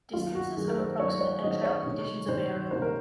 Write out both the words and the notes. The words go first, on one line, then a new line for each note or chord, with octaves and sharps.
Distances are approximate and trail conditions are variable.
D#3 F#3 A#3 F4
F#4
D#3 F#3 A#3 G#4
A#4
C5
D#3 F#3 A#3 C#5
C#5
D#3 F#3 A#3 D#5
C#5
C3 D#3 A#3
C3 D#3 A#3 C5
C3 D#3 A#3 C5
A#4